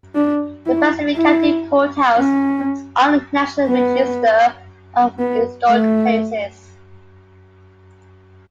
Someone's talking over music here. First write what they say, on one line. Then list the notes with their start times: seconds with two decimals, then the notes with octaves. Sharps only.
The Pacific County Courthouse is on the National Register of Historic Places.
0.15 D4
0.66 E4
1.16 E4
2.17 C#4
3.68 B3
5.19 B3
5.69 A3